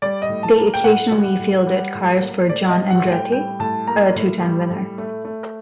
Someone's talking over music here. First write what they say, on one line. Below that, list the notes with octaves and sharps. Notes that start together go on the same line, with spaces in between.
They occasionally fielded cars for John Andretti, a two-time winner.
G3 D5
D#5
A2
A5
A#3
G5
A2 F#5
G3
A2
G3
A2
A#3
A2 D5
F#5
D#5
G3
F#5
A2
G5
G3 G5
A2 A5
A#3 A#5
A2
G3
A2
A3
A3